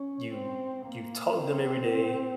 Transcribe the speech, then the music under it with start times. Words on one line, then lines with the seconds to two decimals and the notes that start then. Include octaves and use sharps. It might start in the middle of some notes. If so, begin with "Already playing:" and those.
"You You talk to them every day,
Already playing: C#4
0.33 C4
0.86 A#3
1.37 C4